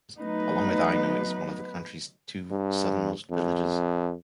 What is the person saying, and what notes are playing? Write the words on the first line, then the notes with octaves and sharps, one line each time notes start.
Along with Aynho it is one of the county's two southernmost villages.
F#3 A3 B3 D#4 B4
G2
F2